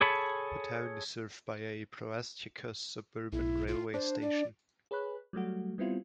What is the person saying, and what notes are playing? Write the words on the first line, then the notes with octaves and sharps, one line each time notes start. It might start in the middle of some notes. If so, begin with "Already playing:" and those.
The town is served by a Proastiakos suburban railway station.
G#4 A4 C#5 A5 B5
B1 E4
F4
D4 C5
D5
G#4 B4 C#5 B5 F#6
F#3 G3 A3 F#4
G3 B3 C4 E4 F4